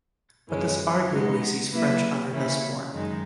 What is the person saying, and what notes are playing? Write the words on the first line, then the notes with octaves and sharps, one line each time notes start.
But this arguably sees French on her best form.
F#2 E3 G#3 C#4
G#3 B3 D#4
F#3 A#3 E4 B4 E5
C#3 E3 A#3 C#4 E4
F#2 D#3 G#3 D#4